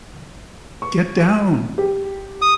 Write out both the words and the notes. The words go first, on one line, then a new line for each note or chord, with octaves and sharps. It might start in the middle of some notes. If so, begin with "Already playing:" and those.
Get down!
C#6
G4
D#6